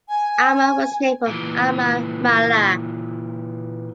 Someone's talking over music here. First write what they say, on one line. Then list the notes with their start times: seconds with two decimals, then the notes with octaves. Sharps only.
Alma was named for Alma Mahler.
0.09 G#5
1.28 A#2 E3